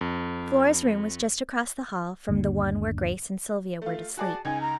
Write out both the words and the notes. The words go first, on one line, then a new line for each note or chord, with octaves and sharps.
Flora's room was just across the hall from the one where Grace and Sylvia were to sleep.
F2
G1 D#2 D3 A#3
A3 F4
F#4 G#4 D5 A5
C#2 D#4 G#5 G#6
A#5